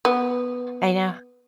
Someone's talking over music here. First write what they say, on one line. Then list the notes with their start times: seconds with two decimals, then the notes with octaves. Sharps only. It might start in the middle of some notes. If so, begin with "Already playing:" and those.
I know.
0.05 B3